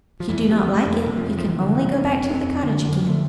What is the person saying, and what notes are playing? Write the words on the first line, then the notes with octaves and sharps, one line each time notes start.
If you do not like it, you can only go back to the cottage again.
F3
F2 E3
C3 G3
F2 G3
F2 A3
C3
F3
C3
F3
C3 E3
D3
F2
E3
C3 D4
F2 C4
F2 D4
C4
F2
D3 D4
D3
F3
D3 A3